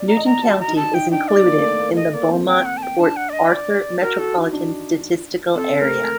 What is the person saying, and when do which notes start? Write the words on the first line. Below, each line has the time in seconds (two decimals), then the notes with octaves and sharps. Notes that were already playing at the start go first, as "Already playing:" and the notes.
Newton County is included in the Beaumont-Port Arthur Metropolitan Statistical Area.
Already playing: D5
0.09 A#5
0.17 D#5
0.25 A#5
0.43 F#4 A5
0.60 A#5
0.68 D#4
0.76 A5
0.94 D#4 G5
1.12 D4 G5
1.28 D5
1.45 A#3
1.56 A#3
1.62 A3
1.79 A#3
1.96 A3 D#5
2.14 A#3 D5
2.30 C4
2.48 G5
2.65 F#5
2.77 A5
2.83 G5
2.99 D4 A5
3.16 F#5
3.29 D5
3.33 D#5
3.50 D5
4.01 F#4 A#4
4.19 F#4 A4
4.36 D#4
4.53 D4
5.55 C4 A4
5.81 A3 A#4